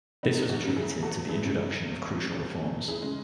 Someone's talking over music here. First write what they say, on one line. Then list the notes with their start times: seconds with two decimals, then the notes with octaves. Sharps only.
This was attributed to the introduction of crucial reforms.
0.23 E2 B3 D#4
0.49 D#4 F#4
0.63 C#3 F#3
0.76 E4 G#4
1.02 E2 F#4 A4
1.29 E4 G#4
1.43 C#3 F#3
1.55 E4 G#4
1.82 E2 A3
2.09 B3
2.22 C#3 F#3
2.35 A3 C#4
2.61 E2 C#4 E4
2.88 E4 G#4
3.01 C#3 G#3